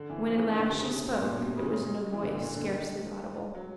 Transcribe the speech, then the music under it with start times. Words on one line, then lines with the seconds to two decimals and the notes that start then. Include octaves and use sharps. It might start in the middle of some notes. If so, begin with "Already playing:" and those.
When at last she spoke it was in a voice scarcely audible.
Already playing: D3
0.10 E3
0.26 F3
0.37 E3
0.47 D#3
0.59 D3
0.69 C3
0.80 C#3
0.92 C3
1.03 B2
1.14 A#2
1.24 A#2
1.35 B2
1.46 C3
1.57 C#3
1.73 C#3
1.90 F#3
2.13 E3
2.23 D3
2.39 A#2
2.55 D3
2.66 D#3
3.55 F#3